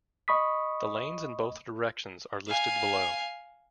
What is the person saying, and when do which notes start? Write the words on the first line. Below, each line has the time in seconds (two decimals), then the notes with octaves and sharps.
The lanes in both directions are listed below.
0.28 D#5 B5 C#6 D#6 B6
2.47 F5 G#5